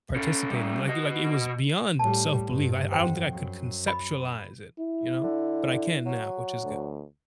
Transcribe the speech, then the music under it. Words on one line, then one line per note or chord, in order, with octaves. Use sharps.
participate in. Like, it like, it was beyond self-belief. I I don't think I could conceptualize it, you know, but I can now, which is good.
C#4 A4
G3 C#4
F#4 D#5
A2 G3 A5
G2
F2 C5 F#5 G5
F#2
D#5 B5
E4
D3
F#3
D2